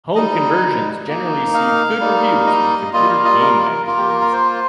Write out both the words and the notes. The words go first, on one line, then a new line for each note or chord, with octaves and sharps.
Home conversions generally received good reviews in computer game magazines.
G3 D#4 D#5
A#3 D#4
F5
G3 A#3 D#4
D#5
G3 A#3 F4 D#5
F5
D#5
A#4
A#4
A#3 F4 A#4
G4
A#4
A#4
C5